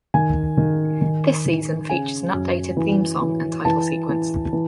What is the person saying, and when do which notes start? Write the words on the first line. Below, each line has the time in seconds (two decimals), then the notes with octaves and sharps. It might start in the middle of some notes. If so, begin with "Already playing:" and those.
This season features an updated theme song and title sequence.
0.14 D#3 G#5
0.57 D#3
1.01 D#3
1.46 D#3
1.89 C#3 G#5
2.34 F#2
2.77 E3
3.21 E3
3.65 E3 A5
4.09 E3
4.53 E3